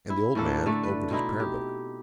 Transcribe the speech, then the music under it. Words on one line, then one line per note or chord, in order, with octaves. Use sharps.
And the old man opened his Prayer-Book.
E4
A2 A#3 D4 A4
D3 A3
B4
B2 C4 D#4 E4
G4